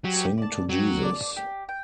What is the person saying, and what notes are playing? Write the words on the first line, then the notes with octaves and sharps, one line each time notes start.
Sing to Jesus!
F#3 G4
D5 A5
F#3 G4
D5 A5
G4
G5